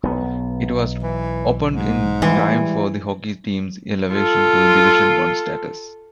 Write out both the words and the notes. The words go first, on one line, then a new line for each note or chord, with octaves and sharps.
It was opened in time for the hockey team's elevation to Division One status.
B1 B3
E3
G#2
E3 G3 G#3
F4 A4